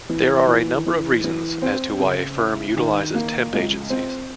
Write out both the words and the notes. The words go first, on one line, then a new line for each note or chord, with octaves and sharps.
There are a number of reasons as to why a firm utilizes temp agencies.
E3
E3
E3
E3
C4
C#3
E4
D#3
A#3
C#2
C4